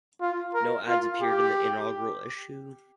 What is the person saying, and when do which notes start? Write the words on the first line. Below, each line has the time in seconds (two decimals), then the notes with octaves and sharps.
No ads appeared in the inaugural issue.
0.21 F4
0.54 A#4
0.88 F4
1.22 G4